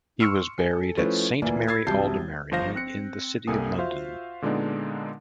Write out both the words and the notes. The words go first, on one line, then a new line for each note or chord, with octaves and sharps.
He was buried at Saint Mary Aldermary in the City of London.
C6 C#6 E6 F6 C#7
A4 G#5
F3 A3 C#4 E4 B4 C5
D2 A#2 E3 A#3 D5 G#5
B5 E6 G#6 A6 C7
E1 C2 C3 A5 G6 C7
G1 F3 C5 F5 A#6
C4 F#6 C#7
C2 C3 A#3 A4 G#5 D#6
F4 F#4 C5 E5 F5
A#2 D3 G#3 B3 D4 D#4